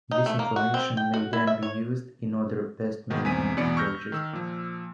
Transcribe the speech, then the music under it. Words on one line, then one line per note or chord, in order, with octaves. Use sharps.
This information may then be used in other pest management approaches.
D#4
A3
A#3
F#4
C4
G5
F#4
E4
E5
C#5
B2 D#3 G#3 A#3
B1 E2 C4 G#5 B6 D#7
E2 B2 E3 C#4 D5 C#7
C#6 E6 F6 G6 A#6
D#3 E6
A#2 F3